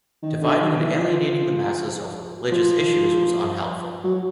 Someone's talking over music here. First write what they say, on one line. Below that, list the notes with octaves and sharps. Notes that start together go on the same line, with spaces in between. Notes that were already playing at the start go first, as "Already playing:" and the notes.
Dividing and alienating the masses over religious issues was unhelpful.
D#3
D3
D#3
E3
F3
F3
F#3